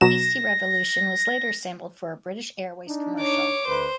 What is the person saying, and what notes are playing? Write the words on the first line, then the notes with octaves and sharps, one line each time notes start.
"Beastie Revolution" was later sampled for a British Airways commercial.
B2 F#3 A#6 E7
D4 D#4
C#5 D6
D2 B4 C5